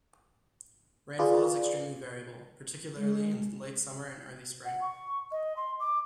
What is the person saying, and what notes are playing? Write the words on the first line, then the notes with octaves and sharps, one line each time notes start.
Rainfall is extremely variable, particularly in late summer and early spring.
F4 G#4 B4 D5
G#3
F#5
C#6
D#5
C6
D6